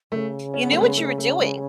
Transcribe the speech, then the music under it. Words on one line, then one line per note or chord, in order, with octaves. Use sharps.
you knew what you were doing.
C#3 A3
C#4
B3
A3
G#3 B3
A3
A3
G#3